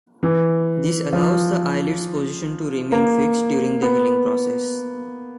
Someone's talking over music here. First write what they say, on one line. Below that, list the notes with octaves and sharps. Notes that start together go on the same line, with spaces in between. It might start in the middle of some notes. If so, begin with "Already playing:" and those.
This allows the eyelid's position to remain fixed during the healing process.
E3
F3
A#3
B3